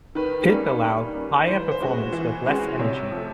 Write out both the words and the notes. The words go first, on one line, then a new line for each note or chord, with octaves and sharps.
This allows higher performance with less energy.
D#3 B4
G3 A#3 C#4
D#3
G3 A#3 C#4
E3 C5
B4
C5
G#3 C#4 F#4
E3
G#3 C#4 F#4
C3 C#5
F3 A3